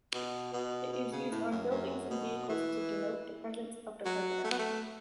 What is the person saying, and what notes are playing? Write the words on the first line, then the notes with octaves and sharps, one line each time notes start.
It is used on buildings and vehicles to denote the presence of the president.
B2
B2
B2
C#3
A2
F#2
F#2
B2
E3
F#3
A3
B3
A3